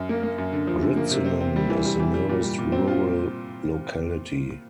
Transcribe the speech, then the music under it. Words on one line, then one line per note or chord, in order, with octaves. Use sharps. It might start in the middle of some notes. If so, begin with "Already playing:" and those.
Gritsinin is the nearest rural locality.
Already playing: F#2
A#3
A#3
F#2
D3
F3
D3
A#3
C3
C4
C4
G3
E3
G3
E3
G3
A#2
G3
A#2
C4
F4